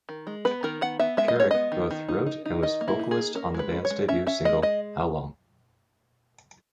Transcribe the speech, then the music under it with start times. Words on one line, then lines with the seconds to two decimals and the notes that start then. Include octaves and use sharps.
Carrack both wrote and was vocalist on the band's debut single How Long?
0.09 D#3
0.27 G#3
0.45 B3 B4
0.63 D#3 A#4
0.81 B3 F#5
1.00 B3 E5
1.17 G#3 E5
1.28 D#5
1.36 G#3 C#5
1.51 B3 D#5
1.72 D#3
1.91 D#3
2.09 D#4
2.26 D#4
2.46 D#4
2.63 D#3 D#5
2.81 A#3
2.88 E4
2.99 D#4
3.11 G#4
3.17 A#3
3.35 C#4 A#4
3.54 G#3 B4
3.72 C#4
3.85 C#5
3.90 G#3
4.08 C#4 E5
4.27 C#4 E5
4.45 G#3 D#5
4.62 G#3 D#5